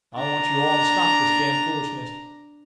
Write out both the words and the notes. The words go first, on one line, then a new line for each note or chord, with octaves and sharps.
I want you all to stop this damned foolishness.
D4 A#5